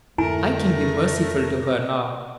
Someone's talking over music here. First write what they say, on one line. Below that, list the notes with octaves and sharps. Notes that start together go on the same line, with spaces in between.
"I can be merciful to her now."
F2 G#2 D3 A3 E4 A#4 G#5 A#5